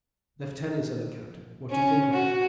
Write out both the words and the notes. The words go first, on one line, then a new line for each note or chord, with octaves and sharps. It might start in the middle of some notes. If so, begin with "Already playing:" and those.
"Leftenant," said the captain, "what do you think of her?"
C#4
F#4